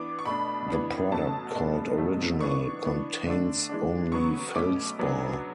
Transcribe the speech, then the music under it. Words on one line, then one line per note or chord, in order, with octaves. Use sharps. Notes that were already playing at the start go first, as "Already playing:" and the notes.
The product called "original" contains only feldspar.
Already playing: E3 B3 D4 D6
C#6
B2 A3 D4 B5
E3 B3 D4
B2 F#3 A3 C#4 A5
B2 G#3 B3 D4
B2 F#3 A3
E3 B3 D4 C#6
E3 B3 D4
D3 A3 D4
E3 G#3 D4
C#3 F#3 B3 C#6
B2 A3 C#4 D6
C#3 F#3 B3 D4